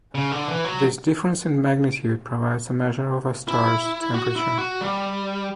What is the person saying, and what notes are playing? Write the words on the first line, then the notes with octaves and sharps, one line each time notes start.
This difference in magnitude provides a measure of a star's temperature.
C#3
D3
E3
F#3
E4
F#4
E4
F#4
G3